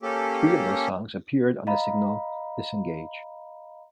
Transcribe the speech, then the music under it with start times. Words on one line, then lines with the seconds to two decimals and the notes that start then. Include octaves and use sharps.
Three of those songs appeared on the single "Disengage".
0.02 A#3 C#4 G4 A4
1.67 D#5 F5 A#5 B5